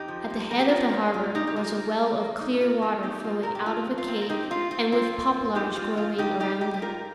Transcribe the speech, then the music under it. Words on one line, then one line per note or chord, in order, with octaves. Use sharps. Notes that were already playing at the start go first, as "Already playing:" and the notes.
At the head of the harbor was a well of clear water flowing out of a cave, and with poplars growing around it.
Already playing: F2 D#4 G4
F3
F2
F2 A#4
G4
F2 F4 A#4
F2
A#2 F4
A#2 D#4 G4
G4
A#3 F4
A#3
A#3
A#3
A#2 D#4
A#3 F4
A#3 F4
A#3 D#4 G4
A#3 F4
A#2 A#4
G4
G2 F4
F3
F4
C4
A#4
C4 D#4 G4
C4 F4
C4 F4
C4 F4
G2
G2
F3 D#4 G4
C4 F4
F3 F4
G3 D#4 G4
G3 D#4 G4
G3 D#4 G4
G4
G2 F4 A#4